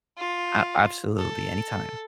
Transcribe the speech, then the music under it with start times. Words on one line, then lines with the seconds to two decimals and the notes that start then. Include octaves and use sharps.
A absolutely, anytime.
0.18 F4
1.19 A4